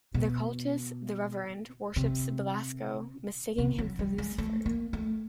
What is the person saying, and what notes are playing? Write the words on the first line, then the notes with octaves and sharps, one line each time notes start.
The cultist "the Reverend" worships Belasco, mistaking him for Lucifer.
B2
C3
C3
F#3
G3
G#3
A3
A#3
A3